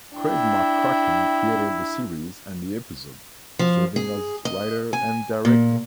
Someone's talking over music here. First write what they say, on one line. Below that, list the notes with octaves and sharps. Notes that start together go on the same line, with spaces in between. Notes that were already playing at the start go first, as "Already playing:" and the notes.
Craig McCracken created the series and the episode, serving as writer and director.
D4 E4 G5
F3
G#4
D#5
G#5
A#2